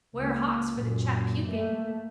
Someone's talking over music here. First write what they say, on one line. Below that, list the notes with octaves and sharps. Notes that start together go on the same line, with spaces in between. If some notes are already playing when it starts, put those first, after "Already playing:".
Ware hawks for the chap puking.
C#2 A#3
F#2 A#2
A3 A#3